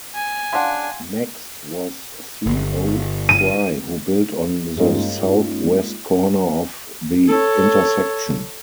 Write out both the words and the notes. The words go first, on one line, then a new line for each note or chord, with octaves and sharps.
Next was C. O. Fry who built on the southwest corner of the intersection.
G#5
C#3 D4 F5 F#5 C6
G1
D#7
G2 G#3 A#3 C#4 D#4 F4
A4 C#5